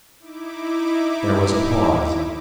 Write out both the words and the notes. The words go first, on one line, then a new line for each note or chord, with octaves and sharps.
There was a pause.
D#4 E4 D6